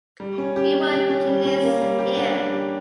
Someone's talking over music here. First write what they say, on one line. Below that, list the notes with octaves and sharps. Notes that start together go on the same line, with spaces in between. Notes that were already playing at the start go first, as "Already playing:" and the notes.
We want keenness here.
G3
C#4
G4
C#4
G4
C#4
G3
C#4
A#3
G3
G4
D4
G3
G4